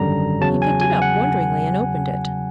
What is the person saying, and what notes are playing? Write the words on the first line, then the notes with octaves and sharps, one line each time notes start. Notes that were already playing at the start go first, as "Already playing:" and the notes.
He picked it up, wonderingly, and opened it.
Already playing: G#1 F#2 D3 G3 A#5
E2 C#3 F#3 A5
G#5
G#5
F#5